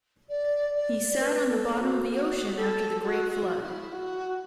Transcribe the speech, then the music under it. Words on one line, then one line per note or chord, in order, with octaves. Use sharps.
He sat on the bottom of the ocean after the Great Flood.
D5
D5
B4
A4
F#4
A4
F#4
A4
A4
F#4
F#4
E4
F#4